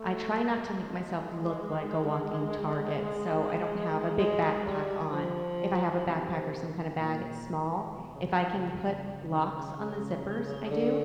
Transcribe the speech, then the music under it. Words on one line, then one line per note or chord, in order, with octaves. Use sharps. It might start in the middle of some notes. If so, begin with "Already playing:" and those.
I try not to make myself look like a walking target, so, I don't have a big backpack on, if I have a backpack, or some kind of bag, it's small, if I can put locks on the zippers, I do,
Already playing: A3
G#3
G#3
G3
F3
C3
A#2
B2
C#3
C3
C#3
C#3
D3